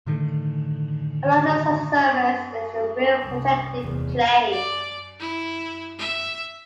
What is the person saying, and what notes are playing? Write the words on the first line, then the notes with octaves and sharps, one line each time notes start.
Another such surface is the real projective plane.
A2 D3 D#3 A3
C2
F1 E2
D5
E4
E5